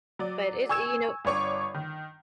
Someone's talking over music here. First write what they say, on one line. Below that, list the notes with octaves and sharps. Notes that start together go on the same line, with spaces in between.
but it and, you know
F#3 D5
G#5 C#6 E6 G#6 E7
G1 D4 C#5 C#6 D6
D#3